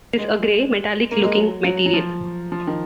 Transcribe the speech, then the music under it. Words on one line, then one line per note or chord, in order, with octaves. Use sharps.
It is a grey, metallic looking material.
G#3
A#3
G#3
F#3
F#3
F#3
F3
F3
D#3